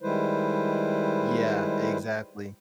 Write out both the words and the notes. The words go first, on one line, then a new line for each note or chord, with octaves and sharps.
Yeah, exactly.
D#3 G3 G#3 E4 B4 C5